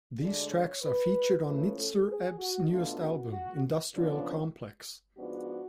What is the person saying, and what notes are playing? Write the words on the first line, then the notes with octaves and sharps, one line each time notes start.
These tracks are featured on Nitzer Ebb's newest album, "Industrial Complex".
D2 D3 G#3 D4 D5
C#5
B4
A2 F3 A3 C#4 B4
A4
G#4
F#4
B2 A3 D4 F4
F#4
F#4
F2 C#3 F3 B3 D4
G#2 F3 B3 D4 F#4